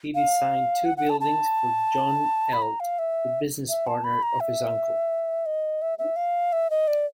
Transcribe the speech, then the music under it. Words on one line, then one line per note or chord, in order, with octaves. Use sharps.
He designed two buildings for John Eld, the business partner of his uncle.
F5
F#5
F#5
A5
A5
B5
A#5
F5
E5
E5
A5
B5
A#5
E5
D#5
E5
E5
F5
E5
D#5
D5